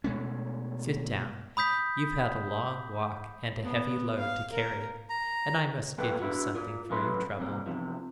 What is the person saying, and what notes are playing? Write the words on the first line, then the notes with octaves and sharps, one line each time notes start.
'Sit down, you've had a long walk and a heavy load to carry, and I must give you something for your trouble.
B2 G#3 A3 C#4
B5 D#6 G6 B6
B3
F5
A#4
A#5
A#3 B3 A4 B4 G5
B3 D4 E4 F#4
F4 A#4
F#2 E3 A3 B4 C6
C3 G3 A#3
E2 C3 F3